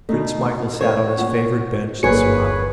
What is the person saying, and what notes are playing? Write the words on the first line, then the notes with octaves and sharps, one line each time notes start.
Prince Michael sat on his favourite bench and smiled.
B2 A3 D#4
A3 A#4 C5 C#5
A#2 F#5
G1 F#3 A#3 G#4 B4 C#5 C#7